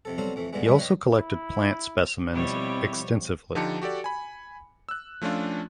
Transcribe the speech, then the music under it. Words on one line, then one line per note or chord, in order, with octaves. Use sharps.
He also collected plant specimens extensively.
F2 C3 A4
F#3 G3 B3 C4 A4 F5
F2 E3 A3
G2 B2 D3 E3 G#3
G2 F3 G3 G#4 E5
B4 C#5 D#5 F5 G5
E4
B2 F3 G3 C4 E4 C#5
D3 F3 D#4 G4 A5 C#7
F#4 G4 A4 D5
G#5 B5
E6 F#6
F3 A3 C#4 D4 F4